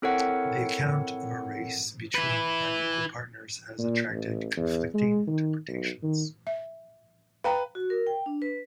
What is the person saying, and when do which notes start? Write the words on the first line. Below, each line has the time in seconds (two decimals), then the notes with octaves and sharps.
The account of a race between unequal partners has attracted conflicting interpretations.
0.02 C4 E4 A4 A#4 C#5 F#5
2.15 E4 B4
3.79 A#2
4.10 A1
4.57 E2
4.94 G#3
5.27 D#3
5.68 B1
6.03 D#3
6.47 E5
7.44 B4 F5 G5 A#5
7.75 F#4
7.90 A#4
8.07 G5
8.26 D4
8.42 B4